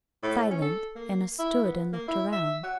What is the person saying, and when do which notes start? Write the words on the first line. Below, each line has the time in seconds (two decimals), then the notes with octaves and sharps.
Silent, Anna stood and looked around.
0.23 A2
0.50 C#4
0.62 A4
0.96 A#3
1.39 E4
1.64 B3
1.93 A#3
2.08 E4
2.32 E5
2.63 F#4